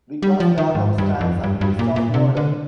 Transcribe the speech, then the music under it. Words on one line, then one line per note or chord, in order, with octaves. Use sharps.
Vikas Yadav stands accused of murder.
G3
F3
D#3
G#2
G2
F2
G2
G2
A#2
A#2
C3
D3